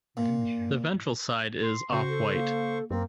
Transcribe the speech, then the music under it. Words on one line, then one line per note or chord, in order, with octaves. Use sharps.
The ventral side is off-white.
A#2
C6
C#3 F#4 C5 C#6
A4
A#3
F#2 A#3 C4